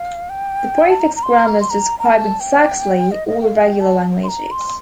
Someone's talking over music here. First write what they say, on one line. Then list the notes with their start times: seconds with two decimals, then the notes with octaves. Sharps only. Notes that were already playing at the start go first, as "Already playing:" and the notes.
The prefix grammars describe exactly all regular languages.
Already playing: F5
0.30 G5
0.90 A5
1.00 A#5
1.16 A#5
1.23 C6
1.47 A#5
1.60 C6
1.70 A#5
1.99 A#5
2.05 A5
2.40 G5
3.11 D#5
3.28 D#5
3.41 G5
3.46 F5
3.63 G5
3.81 A5
4.23 C6
4.28 A#5
4.51 C6